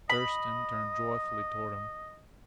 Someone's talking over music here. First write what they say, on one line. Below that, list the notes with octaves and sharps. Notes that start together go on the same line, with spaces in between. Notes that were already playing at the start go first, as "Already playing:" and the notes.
Thurston turned joyfully toward him.
D#5 B5